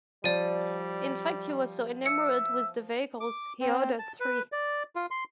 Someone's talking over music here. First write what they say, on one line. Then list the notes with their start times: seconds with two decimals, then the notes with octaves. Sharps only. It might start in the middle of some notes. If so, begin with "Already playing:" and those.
In fact, he was so enamoured with the vehicles, he ordered three.
0.24 F3 G3 D5 D#7
2.06 E5 C#7
3.20 D6
3.61 C4
3.99 A5
4.20 B4
4.52 D5
4.96 F4
5.11 C6